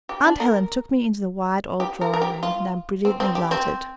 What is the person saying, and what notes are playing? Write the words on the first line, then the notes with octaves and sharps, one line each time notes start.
Aunt Helen took me into the wide old drawing-room, now brilliantly lighted.
G4
D4
A#4
G4
A#4
A#4
G4
F4
C4
C4
G4
C4